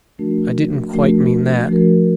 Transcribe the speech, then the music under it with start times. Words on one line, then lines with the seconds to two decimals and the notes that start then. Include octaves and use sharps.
"I didn't quite mean that."
0.18 F3 A3 D4 F#4 A#4
0.93 F3 A3 D4 F#4 A#4
1.68 F3 A3 D4 F#4 A#4